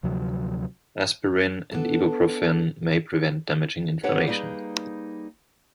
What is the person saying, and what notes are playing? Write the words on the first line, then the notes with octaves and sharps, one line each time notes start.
Aspirin and ibuprofen may prevent damaging inflammation.
D2 C3 F3 F#3
B3 D4 A4
D4 G4 B4 C#5 F#5
G3 A#3 D#4 G#4 B4